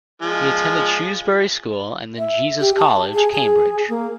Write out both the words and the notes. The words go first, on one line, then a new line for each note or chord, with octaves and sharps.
He attended Shrewsbury School and then Jesus College, Cambridge.
F3 G#3
E5
G4
A5
G#4
G#4
A#3